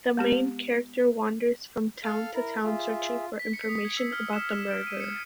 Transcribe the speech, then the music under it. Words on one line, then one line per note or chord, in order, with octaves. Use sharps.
The main character wanders from town to town searching for information about the murderer.
G#3 B3 G4
A4 F5 F6
E4 A#4
F4 G#4 E5
B6
C#7
D#6
G#6
E6
F6
E7
B6
D7
D#7
C#7